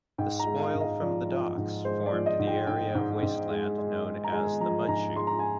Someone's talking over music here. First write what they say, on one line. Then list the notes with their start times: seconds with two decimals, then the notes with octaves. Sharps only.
The spoil from the docks formed the area of wasteland known as the Mudchute.
0.18 G#2 G5
0.39 A#5
0.47 G#3
0.60 F5
0.74 G#2
0.81 D#5
1.02 F3 D5
1.29 F3
1.57 G#2
1.85 G#3 C5
2.06 D5
2.12 F3
2.26 D#5
2.39 G#2
2.47 G5
2.67 G#2 G5
2.95 G#2
3.22 G#2
3.51 G#3
3.78 G#3
4.05 G#3
4.24 A#5
4.33 G#3 G#5
4.60 F3 A#5
4.88 G#2 A#5
5.16 G#3 C6
5.27 A#5
5.39 G#5